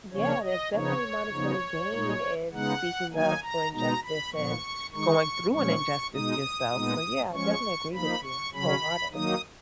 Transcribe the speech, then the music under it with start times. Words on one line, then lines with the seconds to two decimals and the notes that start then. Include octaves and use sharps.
Yeah, there's definitely monetary gain in speaking up for injustice and going through an injustice yourself, so, yeah, I definitely agree with you wholeheartedly.
0.11 C#3 F3 A#3 C#4 C#5
0.42 D#5
0.72 C#3 F3 B3 D#4 C#5
1.32 C#3 F3 B3 D#4
1.93 A#2 G#3 D#4
2.52 C#3 G#3 B3 D#4 F#5
3.13 D#3 F#3 A#3 D#4 G#5
3.43 A#5
3.73 B2 G#3 B3 D#4 A#5
4.03 B5
4.32 A#2 F3 B3 C#6
4.92 D#3 G#3 D#4 C#6
5.53 A#2 F3 G#3 C#4 C#6
6.13 B2 G#3 D#4 D#6
6.73 A#2 G#3 B3 D#4
7.33 F3 G#3 C#4 C#6
7.93 F3 A#3 D#4 B5
8.23 C#6
8.54 C#3 F#3 C#4 B5
9.14 D#3 F#3 A#3 D#4 D#6